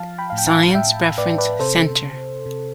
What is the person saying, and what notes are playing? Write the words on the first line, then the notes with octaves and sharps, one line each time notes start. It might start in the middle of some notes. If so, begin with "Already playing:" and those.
Science Reference Center.
Already playing: F3 F5 A5
G5 B5
A2 F5
G5
F5 A5
A2 E5 G5
A2 B4 D5
B4 D5
C3 A4 C5
C3
C3